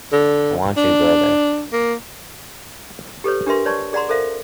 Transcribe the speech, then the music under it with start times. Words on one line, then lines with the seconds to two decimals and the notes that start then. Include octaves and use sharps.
I want you to go there.
0.13 D3
0.77 D4
1.73 A#3
3.24 G4 A4 B4 C#5
3.46 D4 G4 A#4 B4 E5 C6
3.65 B4 C#5 D5 A5 C#6
3.93 G#4 D5 F#5 A#5 C6
4.09 A4 A#4 C5 E5 F5